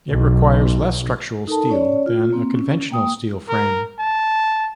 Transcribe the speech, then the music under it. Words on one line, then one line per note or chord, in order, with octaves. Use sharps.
It requires less structural steel than a conventional steel frame.
B1
D#4 A4 A#4 A5
C#4 C#5 D5
F4
A#3 C4
C#4
A#3 G5 D#6
A#4
A5